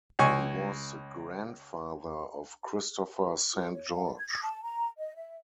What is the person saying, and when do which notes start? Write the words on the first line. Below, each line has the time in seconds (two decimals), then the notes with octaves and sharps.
He was the grandfather of Christopher Saint George.
0.19 C#2 G#5 C#6
3.53 F4
3.73 C#5
3.90 F5
4.04 D5
4.17 G#6
4.29 G#6
4.42 A5
4.63 A#5
4.98 D#5
5.16 E5